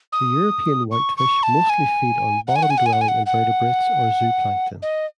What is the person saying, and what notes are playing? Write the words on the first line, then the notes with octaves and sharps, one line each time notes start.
The European whitefish mostly feed on bottom-dwelling invertebrates or zooplankton.
D#6
C#6
C#6
A5
G#5
F#5
G#5
F#5
G#5
F#5
G#5
F#5
G#5
F#5
F#5
D#5